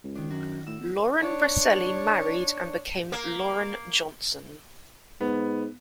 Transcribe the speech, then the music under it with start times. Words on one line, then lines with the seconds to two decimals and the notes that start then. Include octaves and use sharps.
Lauren Roselli married and became Lauren Johnson.
0.04 C#2
0.15 D#3 D4
0.30 F#2 F#4
0.67 A2 E6
0.80 E2
1.19 D4 C#5
3.12 A#3
5.21 G#2 B3